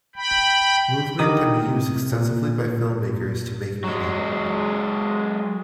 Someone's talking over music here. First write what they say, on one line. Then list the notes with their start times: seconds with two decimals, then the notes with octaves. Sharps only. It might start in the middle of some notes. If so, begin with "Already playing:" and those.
Movement can be used extensively by film makers to make meaning.
0.16 G5 B5
1.19 D3 D#4 G4 A#4 D#6
1.68 C3
2.12 A#2
3.84 F#3 G#3